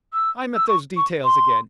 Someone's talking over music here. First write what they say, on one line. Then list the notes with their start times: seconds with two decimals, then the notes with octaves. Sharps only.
I'm at those details again.
0.13 E6
0.55 E6
0.68 C#6
0.97 C#6
1.24 C6